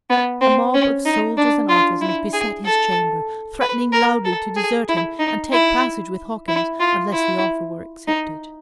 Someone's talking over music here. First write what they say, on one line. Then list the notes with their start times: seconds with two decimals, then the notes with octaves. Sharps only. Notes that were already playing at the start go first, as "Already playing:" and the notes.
A mob of soldiers and artisans beset his chamber, threatening loudly to desert him, and take passage with Hawkins, unless the offer were accepted.
0.10 B3
0.42 C4
0.74 C#4
1.06 D#4
1.38 D4
1.69 F4
2.01 E4
2.34 G#4
2.65 A4
3.61 B4
3.93 A#4
4.25 A4
4.56 G#4
4.89 E4
5.20 D#4
5.53 E4
6.48 E4
6.80 F4
7.12 E4
8.08 D#4